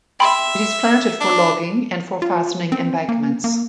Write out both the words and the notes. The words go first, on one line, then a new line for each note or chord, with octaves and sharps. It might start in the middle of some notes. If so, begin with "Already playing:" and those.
It is planted for logging and for fastening embankments.
E5 G5 B5 C6
D4
F4
C4
A#3
A#3